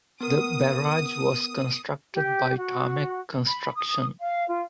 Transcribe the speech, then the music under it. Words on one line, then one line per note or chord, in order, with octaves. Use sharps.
The barrage was constructed by Tarmac Construction.
B3 A#4 D#6
G4
F#4
B5
D#6
F5
F4